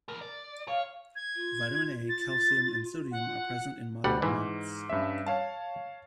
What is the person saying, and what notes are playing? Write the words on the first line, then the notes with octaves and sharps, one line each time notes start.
Vitamin A, calcium and sodium are present in moderate amounts.
E2 A#4
D5
C#5 F5
G#6
F4
A6
F#5
D2 G3 F#5
G#2 E3
G2 C#4 E5
C#5 F5 A5